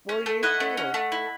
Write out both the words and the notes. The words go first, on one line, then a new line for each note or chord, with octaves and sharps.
Well, you too.
C#4
A3
E4 D#5 F#5
A3
C#4
A3
E4